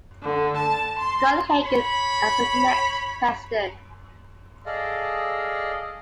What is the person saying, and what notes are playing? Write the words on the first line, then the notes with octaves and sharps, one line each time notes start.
Scott Hagan as the next president.
D3
A5
C6
C#5 B5
G#4 A4 D5 D#5 F5